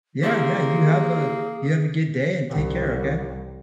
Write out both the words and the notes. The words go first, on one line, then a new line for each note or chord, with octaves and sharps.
Yeah, yeah, you have a you have a good day, and take care, okay?
A#3 E4 G4 G#4
C2